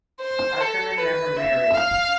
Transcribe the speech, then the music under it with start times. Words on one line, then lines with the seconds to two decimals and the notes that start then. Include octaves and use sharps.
Ackermann never married.
0.21 C5
0.60 A4
0.97 B4
1.36 E5
1.74 F5